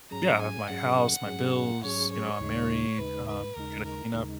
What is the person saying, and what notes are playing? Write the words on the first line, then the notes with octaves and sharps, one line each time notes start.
yeah, I have my house, my bills, you know, I'm married, um, gotta clean up.
G#2 F#3 C#4 G#4 A#5
G#5
G#2 F#3 C#4 G#4 F#5
G#2 F#3 C#4 G#4
G#2 F#3 C#4 G#4 C#5
C#5
D#2 C#3 G#3 D#4
D#2 C#3 G#3 D#4 B4
B4
D#2 C#3 G#3 D#4 A#4
A#4
D#2 C#3 G#3 D#4